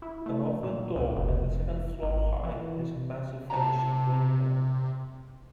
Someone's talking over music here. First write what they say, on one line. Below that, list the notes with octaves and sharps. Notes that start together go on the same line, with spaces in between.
Above the door at second floor height is a massive Venetian window.
E4
A3
A#2
C#2
F1
G#1
E3
C3 A5 A#5